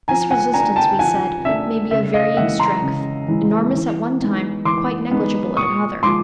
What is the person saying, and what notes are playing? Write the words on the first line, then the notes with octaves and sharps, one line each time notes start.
This resistance, we said, may be of varying strength, enormous at one time, quite negligible at another.
F3 G#5 A#5
F#5 G#5
A3 D4 G#5 A#5
G5 A5
F3 F#5 G#5
A3 D4 E5
C#3 E5
D#5 F5
E3 G#3 E5 F#5
A#5 C6
C#3
E3 G#3
E3
G#3 B3 D#4
E3 C6 D6
G#3 B3 D#4
A#2 C#6 D#6
F3 G#3 C6 D6